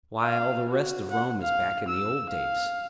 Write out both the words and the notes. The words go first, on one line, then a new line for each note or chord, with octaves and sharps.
"Why, all the rest of Rome is back in the old days."
F5
F#4
F#5
F5
E6
F5